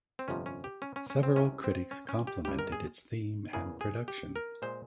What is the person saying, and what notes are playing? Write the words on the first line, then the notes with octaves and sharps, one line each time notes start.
Several critics complimented its theme and production.
C4
G1 F2 C3 F3 C#4
C#4
G4
C#4
C#4
C#4
C4
C2 C3 F3 G#3 C#4
C4
C#4
C#4
G4
G1 G2 G3 G4
A#4
G#4
E2 C#3 E3 A#3 G#4
G#4
G4
A#4
A#2 G#3 C5